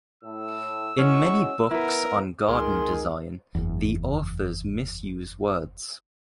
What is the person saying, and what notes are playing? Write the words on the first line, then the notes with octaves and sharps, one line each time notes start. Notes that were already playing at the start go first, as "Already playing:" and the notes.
In many books on garden design the authors misuse words.
A2 E6
G#3 C#4 E4 F#4 C#6
B3 E4 A#4 B4
C#2 D#3 G#4 A#4 C6 F6
F#1 E2